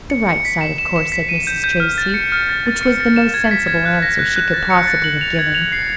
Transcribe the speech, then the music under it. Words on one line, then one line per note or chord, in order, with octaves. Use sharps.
"The right side, of course," said Mrs. Tracy, which was the most sensible answer she could possibly have given.
C#7
C#7
B6
E7
E7
E7
B6
D#7
G6
G6
F6
A6
C#7
F6
A6
A6
C#7
A6
E7
G#6
B6
G#6
F#6
A#6
F#6
F#6
A6
C#7
A6
F#7
F7
G#6
F7
C7